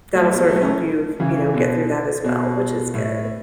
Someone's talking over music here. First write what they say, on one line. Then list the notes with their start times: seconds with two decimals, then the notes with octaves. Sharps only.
that’ll sort of help you, you know, get through that as well, which is good.
0.15 F#3 A3
0.32 G#3 B3
0.49 F#3 A3
0.61 A3 C#4
1.20 C#3 E3
1.54 B2 D3
2.24 B2
2.94 A2